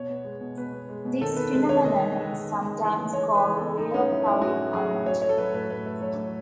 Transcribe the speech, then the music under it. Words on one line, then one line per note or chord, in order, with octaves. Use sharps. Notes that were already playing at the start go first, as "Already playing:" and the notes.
This phenomenon is sometimes called "real" crowding out.
Already playing: B2 C#5
B3
G#3
B2
B2 B4
B3
G#3
B2
D#3 A4
B3 B4
G#3 B4
D#3 C#5
D#3 D#5
B3
G#3
D#3
C#3
G#3
E3
B3
C#3 C#5
G#3
B4
E3
B3 A4
A2 D#4
A3 C#4
F#3 E4
A2 E4
A2 F#4
A3
F#3 G#4
A2
A2 C#5
A3 C#5
A4
F#3 B4
A2 B4
A2 B4
A3
F#3 C#5
A2